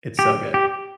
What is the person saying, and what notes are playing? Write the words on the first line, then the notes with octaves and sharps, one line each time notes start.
It's so good.
G4
G4